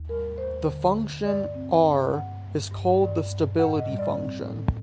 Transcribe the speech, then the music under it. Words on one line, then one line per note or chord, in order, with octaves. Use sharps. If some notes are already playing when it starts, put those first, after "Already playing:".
The function "r" is called the "stability function".
Already playing: D#2
G3 A#4
D#2 C5
D3
D3
G2 D5
C4
G2
G2 F#5
G2
G2
G2 D5
G2
A2 F#5
D#5
G3
D5
C4
A2